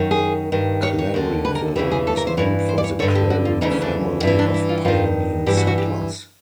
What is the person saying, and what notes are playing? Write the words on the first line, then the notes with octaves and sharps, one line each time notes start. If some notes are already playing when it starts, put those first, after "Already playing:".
Claryville was named for the Clary family of pioneer settlers.
Already playing: F#2 D#3
G#4
G2 D#3
C#5
C#5
D#2 D3
B4
A#4
E2 C#3 E3 G4
G#4
A4
A#4
C5
G2 E3 C#5
C5
D5
C#5
G2 D3 C#5
G4
F#4
F4
D2 C#3 E3 D#4
C#4
D4
G2 E3 E4
D4
E4
F4
G2 D#3 F4
G2 E3 G4
F#4
F#4
G4